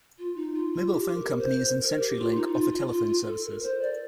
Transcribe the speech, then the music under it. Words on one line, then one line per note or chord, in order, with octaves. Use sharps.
Mobile phone companies and Century Link offer telephone services.
F4
D#4
F4
F4
G4
A#4
C5
A#4
G4
F4
D#4
F4
F4
F4
F4
A4
A#4
C5
D5